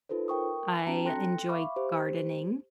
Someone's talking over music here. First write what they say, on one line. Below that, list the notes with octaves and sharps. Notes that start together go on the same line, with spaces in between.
I enjoy gardening,
D#4 F4 A4 B4 C5
A#4 G5 C#6 D#6
C4 D4 F#4 G5 A5 A#5
A4 G5 C6 F#6 A#6 C#7
E5 F5 B5 C#6 D6
G4 C5